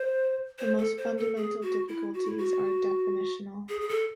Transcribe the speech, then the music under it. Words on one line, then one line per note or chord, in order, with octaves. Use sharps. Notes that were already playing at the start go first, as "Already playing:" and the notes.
The most fundamental difficulties are definitional.
Already playing: C5
C5
A4
C5
A4
G#4
F#4
E4
F#4
E4
F#4
G#4
G#4
A4